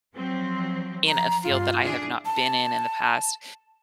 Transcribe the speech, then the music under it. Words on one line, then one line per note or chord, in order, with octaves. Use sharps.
in a field that I have not been in in the past
F3 F#3 C4
F3 A#5
G2 F4 C6
D4 E4 G#4
A5